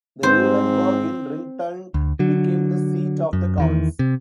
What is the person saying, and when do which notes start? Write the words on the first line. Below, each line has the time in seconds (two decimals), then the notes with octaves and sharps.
The Eulenburg in Rinteln became the seat of the counts.
0.23 G#2 C4 C5
1.94 D2
2.19 D3 F#3
3.33 F#2
3.58 E2 D#3 E3
3.99 C3